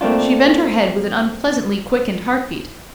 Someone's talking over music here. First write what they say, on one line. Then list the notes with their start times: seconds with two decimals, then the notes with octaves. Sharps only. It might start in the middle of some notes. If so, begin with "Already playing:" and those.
She bent her head with an unpleasantly-quickened heart-beat.
0.01 A3 A#3 C4 D4 F4